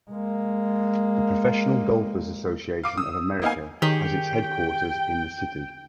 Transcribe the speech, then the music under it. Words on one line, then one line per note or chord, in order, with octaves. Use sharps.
The Professional Golfers' Association of America has its headquarters in the city.
G#3 A#3
F5 D6
D#6 E6
A#3 B3 D#4 F5 G#5
D#3 G4 G#4 C#5 G5